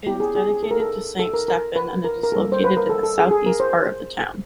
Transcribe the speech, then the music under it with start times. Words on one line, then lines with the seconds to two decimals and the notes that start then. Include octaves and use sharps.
It is dedicated to Saint Stephen, and it is located in the southeast part of the town.
0.07 B3 E4 G4
0.20 G#4
0.35 G#4
0.49 G#4
0.63 A4
0.71 A#4
0.80 A4
1.19 A4
1.34 A#4
1.48 A#4
1.76 B4
2.04 A#4
2.23 A#4
2.32 G3 A#3 D4 G4 A4
2.52 C5
2.64 B4
2.77 A#4
2.89 A4
3.03 A4
3.18 G#4
3.31 G#4
3.46 A#4
3.60 C5